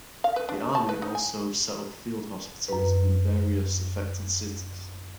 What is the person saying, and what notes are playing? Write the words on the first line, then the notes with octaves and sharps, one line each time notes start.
The Army also set up field hospitals in various affected cities.
F5
B4
D4
A5
B4
D#4
G#5
F#2 B4